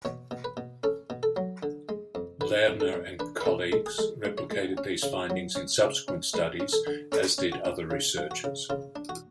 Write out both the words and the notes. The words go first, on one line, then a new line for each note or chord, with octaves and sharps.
Lerner and colleagues replicated these findings in subsequent studies, as did other researchers.
B2 C#5
B2
B4
B2
C#4 A4
B2
A4
F#3
D3
G#3
F2
D3 B4
F2
A4
F2
D4 B4
B4
B2 A4
G#3 A4
G#4
G#3 A4
G#3
C#5
G#3
C#4
C#3
F#3
C#4
C#3
C#4
G#3 B4
C#4
A4
D3
C#4 A4
C#4
F#4
C#4
C#3
F3
F#4
C#3
C#3 F4
D4
F#4